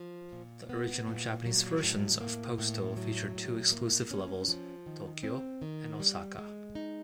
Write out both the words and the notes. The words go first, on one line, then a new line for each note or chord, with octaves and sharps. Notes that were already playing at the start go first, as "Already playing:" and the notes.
The original Japanese versions of "Postal" featured two exclusive levels, "Tokyo" and "Osaka".
Already playing: F3
A#2
B3
A#2
F#3
A2
A#3
A2
F#3
A2
A#3
C#4
F3
D#3
C4
D#3
G3
G#3
D#4